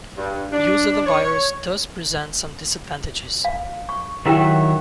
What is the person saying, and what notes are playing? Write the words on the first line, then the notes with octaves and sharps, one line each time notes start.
Use of the virus does present some disadvantages.
G2
D4
C#5
F5
C#6
D#3 F#3 E4 G4 E5 G5